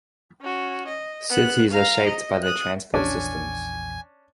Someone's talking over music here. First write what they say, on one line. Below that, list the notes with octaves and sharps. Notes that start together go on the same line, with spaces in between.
Cities are shaped by their transport systems.
C#4 F#4
D#5
B3 F#6
F5 A#5
D#5
D#6 F#6
A#1 E2 C#4 D4 G#5